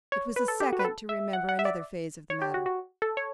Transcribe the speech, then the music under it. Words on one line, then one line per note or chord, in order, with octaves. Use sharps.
It was a second to remember another phase of the matter.
C#5
B4
A4
G4
F#4
B4
A4
E5
F#5
F#5
E5
D5
C#5
G4
F#4
F#4
A4
C#5